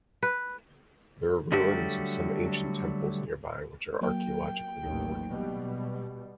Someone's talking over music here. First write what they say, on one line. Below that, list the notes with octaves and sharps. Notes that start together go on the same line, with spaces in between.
There are ruins of some ancient temples nearby which are archaeologically important.
B4
D3 F#3 G3 A3 F#4 G4
F#3 A#3 G5
A1 D#2
B2 G3